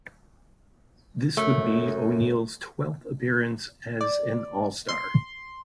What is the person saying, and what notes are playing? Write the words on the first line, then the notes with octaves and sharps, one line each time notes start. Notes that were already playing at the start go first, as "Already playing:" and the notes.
This would be O'Neal's twelfth appearance as an All-Star.
F#2 A3
D5
C6